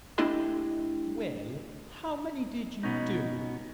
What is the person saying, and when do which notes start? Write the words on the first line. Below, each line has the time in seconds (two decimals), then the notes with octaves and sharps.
"Well, how many did you do?"
0.18 A3 D4 E4 G4 D#5 C6
2.83 B2 B3 C#4 D#4